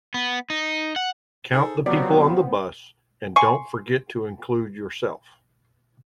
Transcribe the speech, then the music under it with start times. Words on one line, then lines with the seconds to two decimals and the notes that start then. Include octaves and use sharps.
Count the people on the bus, and don't forget to include yourself.
0.14 B3
0.50 D#4
0.96 F#5
1.53 D#4 G#4 A4 C5
1.86 C3 F3 F#3 B3 C4 D5
3.36 G#5 C6 C#6